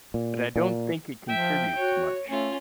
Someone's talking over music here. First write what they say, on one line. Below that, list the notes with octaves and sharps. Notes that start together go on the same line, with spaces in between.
But I don't think it contributes much.
A#2
A#2
F3 E5 G5
F#4 C#5
A3 C#4 F4